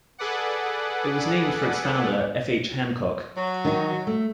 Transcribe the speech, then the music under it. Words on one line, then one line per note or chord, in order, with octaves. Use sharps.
It was named for its founder, F. H. Hancock.
G#4 A4 B4 D5 F#5
F#3
D#3 D#4 F#4
A3